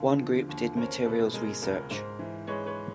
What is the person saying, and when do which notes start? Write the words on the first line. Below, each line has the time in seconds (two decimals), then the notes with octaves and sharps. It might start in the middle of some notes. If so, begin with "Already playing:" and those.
One group did materials research.
Already playing: D#2 D3 F5
0.20 F3
0.49 D#2
0.77 C#4 A#4 C5
1.05 B2 A4 B4
1.34 G#3 A#4
1.62 C#2 A#4
1.91 G#2 A#4 C5
2.19 E3
2.47 G#3 B4 C#5
2.66 B4 C#5